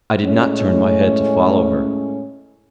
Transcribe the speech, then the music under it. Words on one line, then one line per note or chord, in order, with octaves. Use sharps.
I did not turn my head to follow her.
A2 G#3 A3 C#4